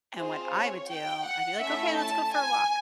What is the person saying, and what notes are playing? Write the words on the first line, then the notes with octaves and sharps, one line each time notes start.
And what I would do, I'd be like, "Okay. Let's go for a walk."
C4 F4 G#4 C5
C#5
G5
F#5
A3 C#4 E4 E5
A5
G#5